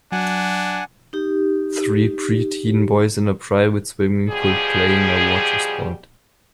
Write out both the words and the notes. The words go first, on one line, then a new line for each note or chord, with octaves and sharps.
Three preteen boys in a private swimming pool playing a water sport.
F#3 D4 F#5 G#5
D#4 G4
B2 F3 G3 G4 G#4